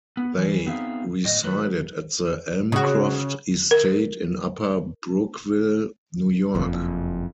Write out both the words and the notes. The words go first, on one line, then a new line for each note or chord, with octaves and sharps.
They resided at the Elmcroft Estate in Upper Brookville, New York.
B3
E3
B3 C4 D#4 G#4 E5 F5
A2 D#5
D#3 F#3 A3 B4
C#3 F#4
A#4
F#1 F2